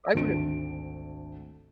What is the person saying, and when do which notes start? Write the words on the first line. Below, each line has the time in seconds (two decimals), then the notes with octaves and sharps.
I would've
0.14 G#1 D2 A3 D4 D7